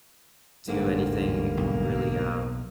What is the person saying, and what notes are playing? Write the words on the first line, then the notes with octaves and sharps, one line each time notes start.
do anything really, uh,
A1 E2 G#2 D3 G3 A#3
B1